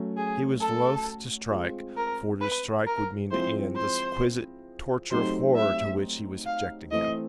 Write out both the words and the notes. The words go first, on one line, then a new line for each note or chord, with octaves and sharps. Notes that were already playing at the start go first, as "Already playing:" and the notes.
He was loth to strike, for to strike would mean to end this exquisite torture of horror to which he was subjecting him.
Already playing: F#3 A3 C#4
G#4
A4
G#3 C4 F4
A#4
B4
A#4
F3 G#3 C4 E4 G#4 C5
C5
F#3 A3 C4 D#4 G4 C5
E5
F5
E3 A3 C4 D#5